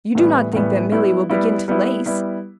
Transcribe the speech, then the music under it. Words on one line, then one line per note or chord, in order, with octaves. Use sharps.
"You do not think that Milly will begin to lace?"
A2 E3 G3 B3
A2 E3 G3 B3
G3 B3 E4
G3 B3 E4
G3 B3 E4
G3 B3 E4